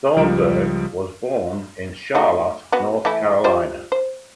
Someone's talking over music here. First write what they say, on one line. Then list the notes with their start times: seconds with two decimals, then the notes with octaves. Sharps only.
Thornburg was born in Charlotte, North Carolina.
0.16 C#2 F3 G3 D7
2.15 A3 D#4 F#4
2.72 B3 F#4
3.05 E3 A3 E4
3.44 F4 G4 C5
3.92 C5